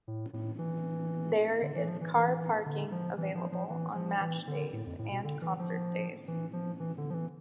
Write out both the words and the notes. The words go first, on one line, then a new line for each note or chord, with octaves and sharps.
There is car parking available on match days and concert days.
A2
A2
E3
D3
E3
F3
E3
E3
D3
F3
E3
F3
F3
E3
F3
E3
D3
A2
F2
A2
B2
D3
E3
F3
E3
F3
E3
D3
F3
E3